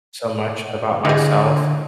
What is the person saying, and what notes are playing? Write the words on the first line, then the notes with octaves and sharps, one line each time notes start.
so much about myself
D3 E3 G#4 D#5